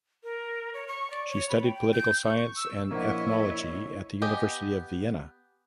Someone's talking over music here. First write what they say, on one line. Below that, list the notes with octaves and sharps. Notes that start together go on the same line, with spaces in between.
She studied political science and ethnology at the University of Vienna.
A#4
C#5
C#6
D5
C#5
B5
G5
G5
G6
C#6
E6
A#1 A#3 E4 C5 C#5 D#5 E5 F#5
B3 G4 D#5 G#5